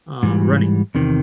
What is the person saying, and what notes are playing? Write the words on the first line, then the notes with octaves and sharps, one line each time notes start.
um, running
G#2 E3 G3
E2 C3 D#3